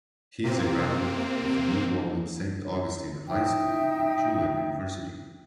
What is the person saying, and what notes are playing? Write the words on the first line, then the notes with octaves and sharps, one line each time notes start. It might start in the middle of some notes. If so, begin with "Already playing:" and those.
He is a graduate of New Orleans' Saint Augustine High School and Tulane University.
C3 A#3 C4
D#4 E5 G5